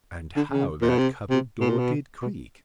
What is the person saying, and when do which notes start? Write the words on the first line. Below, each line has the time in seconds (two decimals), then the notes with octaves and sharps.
And how that cupboard-door did creak!
0.36 D3
0.51 C#3
0.81 A#2
0.90 B2
0.98 C3
1.30 C3
1.60 B2
1.69 A#2
1.78 B2
2.22 B2